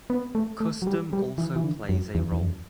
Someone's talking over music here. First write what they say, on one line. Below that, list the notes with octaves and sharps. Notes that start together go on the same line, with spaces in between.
Custom also plays a role.
B3
A3
A3
F#3
G3
G3
E3
E3
D3
F#2
E2
E2
F#2